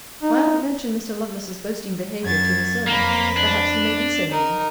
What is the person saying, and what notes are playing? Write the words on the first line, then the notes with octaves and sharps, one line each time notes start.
My aunt mentioned Mr. Lovelace's boasting behaviour to his servants: perhaps he may be so mean.
D#4
F#2 G#6 A6
F2 A#3 B4
D4
D#4 A#4